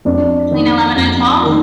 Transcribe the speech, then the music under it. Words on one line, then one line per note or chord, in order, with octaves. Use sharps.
Between eleven and twelve?
F2 D4
D#3 A#3
F2
D#3 A#3